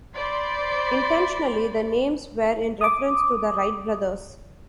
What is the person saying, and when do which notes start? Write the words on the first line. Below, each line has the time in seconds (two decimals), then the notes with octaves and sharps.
Intentionally, the names were in reference to the Wright brothers.
0.16 C5 D5 B5 C6
2.81 D6 D#6